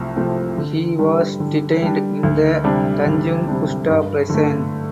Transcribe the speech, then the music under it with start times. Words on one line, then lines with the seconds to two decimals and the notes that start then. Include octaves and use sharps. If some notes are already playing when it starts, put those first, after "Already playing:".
He was detained in the Tanjung Gusta prison.
Already playing: C2 C3 F3 A3
0.16 C3 F3 A3 C4
0.58 D3
0.99 G3 D4
1.40 D3
1.82 G3 D4
2.23 D2
2.64 C3 G3 D4
3.06 D2
3.48 C3 G3 D4
3.89 G2
4.29 D3 A3